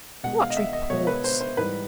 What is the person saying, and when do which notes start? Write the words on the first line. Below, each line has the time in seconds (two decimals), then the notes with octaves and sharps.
"What reports?"
0.23 B2 G#3 F#5
0.41 F5
0.50 D#5
0.57 E5
0.73 D#5
0.90 B2 G#3 C#5
1.07 B4
1.24 C5
1.41 C5
1.57 G#2 E3 G3 B4